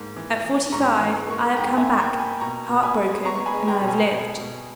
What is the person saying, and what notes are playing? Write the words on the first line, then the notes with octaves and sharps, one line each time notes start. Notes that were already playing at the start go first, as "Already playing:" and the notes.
At forty-five, I have come back, heart-broken, and I have lived.
Already playing: G#2 A#3
E3
E3
G#2 A#5 C#6
E3
A#3 C#6
B5
G#2 G5 A#5
E5 G#5
A#3
B5
G5 A#5
A#3
G#5 B5
B2 A#5 C#6
B2
G#5 B5
G#3
B3 A#5 C#6
C#6
G#5 B5
G#3
G5 A#5
B2
G#5 B5
B2
B2